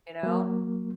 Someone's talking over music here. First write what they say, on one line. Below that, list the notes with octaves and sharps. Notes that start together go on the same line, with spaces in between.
You know?
F#3 A#3